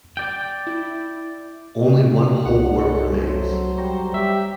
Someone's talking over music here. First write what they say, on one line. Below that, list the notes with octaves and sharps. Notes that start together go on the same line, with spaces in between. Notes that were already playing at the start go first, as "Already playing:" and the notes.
Only one whole work remains.
D5 G5 G6
E4
C2 D#4 F#5
C#4 A4
F#3 A3 C5
G3 G5 A#5 C#6
G3 G4 E5